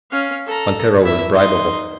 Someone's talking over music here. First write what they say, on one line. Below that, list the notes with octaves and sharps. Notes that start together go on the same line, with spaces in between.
Montero was bribeable.
C#4 F5
A4 A#5
E4 E5
D#4 C6